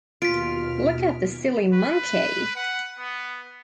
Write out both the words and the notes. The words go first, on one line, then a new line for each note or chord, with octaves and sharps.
Look at the silly monkey!
D#2 B2 F4 F6 B6 D7
B4
F#5
B3